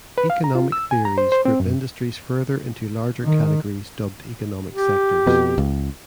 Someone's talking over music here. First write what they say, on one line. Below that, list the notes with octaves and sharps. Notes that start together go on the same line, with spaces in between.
Economic theories group industries further into larger categories dubbed economic sectors.
B4
F5
A#5
F4
E6
G#5
A#5
C5
C5
C4
F#2
D#3
G4
F2 B2
C#2